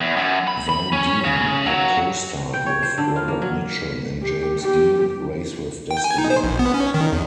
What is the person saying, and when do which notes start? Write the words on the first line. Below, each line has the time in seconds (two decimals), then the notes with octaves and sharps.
Van Dien had co-starred with Robert Mitchum in "James Dean: Race with Destiny".
0.01 E2
0.16 F#2
0.47 B5
0.69 B5
0.92 C#4
1.24 C#3
1.66 F#3
2.53 G5
2.66 C#5
2.83 C5
2.98 D3
3.16 F4
3.28 A#3
3.42 F#3
4.22 G4
4.60 G4
5.91 G5
6.04 G#5
6.18 D#4
6.30 C5
6.44 A#1
6.59 B3
6.74 C#4
6.94 D#3
7.12 E2